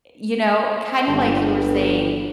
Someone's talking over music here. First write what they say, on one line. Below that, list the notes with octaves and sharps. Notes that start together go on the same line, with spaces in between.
you know, kinda like you were saying
G1